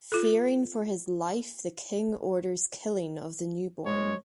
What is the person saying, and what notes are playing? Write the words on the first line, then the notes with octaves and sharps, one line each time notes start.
Fearing for his life, the king orders killing of the newborn.
F4 A4
G#3 C#5